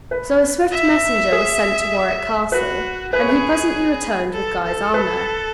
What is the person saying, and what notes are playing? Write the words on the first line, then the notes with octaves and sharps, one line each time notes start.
So a swift messenger was sent to Warwick Castle, and he presently returned with Guy's armor.
B4
E5
G#4
F#4 B4
G#4 B4
C#5
B4
A4
A4
B4